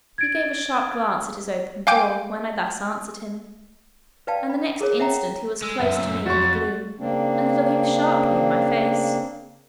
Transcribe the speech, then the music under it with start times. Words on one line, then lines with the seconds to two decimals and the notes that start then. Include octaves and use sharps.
He gave a sharp glance at his open door when I thus answered him, and the next instant he was close to me in the gloom and looking sharply in my face.
0.18 G#6 A6 D7
1.87 F5 G5 G#5 D6 G6 D7
4.27 B4 D5 F5 G5 A5
4.50 B5
4.80 G#4 A#4 C#5
4.99 C#5 E5 F#5 G5 A#5
5.62 G#3 E6
5.80 F#2 A#2 E5
6.09 E6
6.26 F2 F#4 C#6 A6
6.99 C#3 A#3 C4 D4